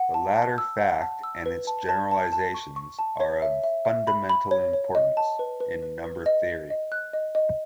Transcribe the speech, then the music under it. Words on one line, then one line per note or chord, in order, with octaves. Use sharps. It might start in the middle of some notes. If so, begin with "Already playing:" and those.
The latter fact and its generalizations are of fundamental importance in number theory.
Already playing: F#5
A5
A5
E6
F#5
A5
E6
B4
A5
A5
A5
A5
C#6
C#6
A5
C#5
E5
E5
E5
B5
B5
C#5
C#5
D#5
A5
B4
B4
B4
B4
D#5
D#5
D#5
F#6
D#5
D#5